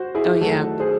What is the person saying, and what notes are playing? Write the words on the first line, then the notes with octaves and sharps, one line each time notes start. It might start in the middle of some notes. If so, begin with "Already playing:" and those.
Oh yeah.
Already playing: F#4 C5
E4 G#4
D#3 F#3 A3 F#4 A4
G#4 C5